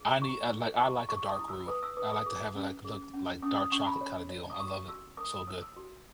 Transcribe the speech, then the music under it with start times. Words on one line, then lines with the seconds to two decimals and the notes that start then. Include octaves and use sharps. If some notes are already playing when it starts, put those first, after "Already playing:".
I need I'd like I like a dark roux. I like to have it like look like dark chocolate kinda deal. I love it. So good.
Already playing: G#4
0.21 E4 C#6
0.51 G#4
0.80 E4 C#6
1.09 G#4 C#6
1.29 D#6
1.39 E4
1.48 E6
1.67 B4 D#6
1.83 E6
1.97 B4 D#6
2.12 D#6
2.26 G#4
2.55 C#4
2.85 G#4
3.13 C#4
3.42 C#4 D#6
3.58 D#6
3.72 C#4 C#6
3.87 B5
4.01 C#5
4.30 C#5
4.50 D#6
4.60 F#4 C#6
4.88 F#4 E6
5.17 A#4 D#6
5.32 D#6
5.47 C#5 E6
5.62 E6
5.76 F#4